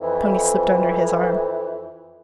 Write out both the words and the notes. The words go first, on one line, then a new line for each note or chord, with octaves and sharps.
Tony slipped under his arm.
F2 E3